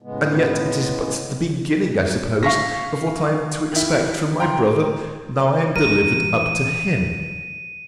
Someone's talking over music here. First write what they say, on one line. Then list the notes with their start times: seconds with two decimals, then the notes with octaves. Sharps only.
And yet it is but the beginning, I suppose, of what I am to expect from my brother, now I am delivered up to him.
0.02 A2 C#3 G#3 B3
2.43 F5 C#6 A#6 B6
3.72 D#3 E4
4.40 G5 A#5 C6
5.76 E3 A#4 D#7